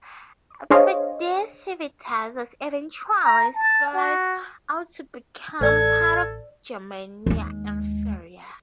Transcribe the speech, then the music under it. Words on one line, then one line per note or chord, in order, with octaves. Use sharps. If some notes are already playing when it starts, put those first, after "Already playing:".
But this civitas was eventually split out to become part of Germania Inferior.
D4 G#4 C5 C#5 D#5 F5
A#5
A5
F#4
A1 A4 C5 D5 E6 G#6
D#2 G#3